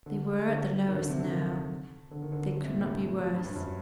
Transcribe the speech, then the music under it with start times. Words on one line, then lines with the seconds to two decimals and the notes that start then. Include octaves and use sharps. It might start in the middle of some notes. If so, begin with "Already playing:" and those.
They were at the lowest now; they could not be worse.
0.06 D3
0.47 D3
0.88 D#3
0.99 D3
1.09 C3
1.19 D3
1.29 D#3
2.11 D3
2.22 D#3
2.32 D3
2.42 D3
2.52 D3
2.63 C3
2.73 A#2
2.83 A2
2.93 G2
3.34 G2
3.45 G2
3.55 F#2